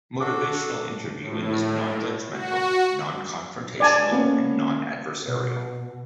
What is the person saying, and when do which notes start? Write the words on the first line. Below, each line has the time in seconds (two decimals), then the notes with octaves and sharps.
Motivational interviewing is non-judgmental, non-confrontational and non-adversarial.
0.21 D4 F#4 A4 D6
1.21 A2
2.31 F#4
3.80 D5 G#5 A5
4.11 A#3 B3 C#4
5.24 B2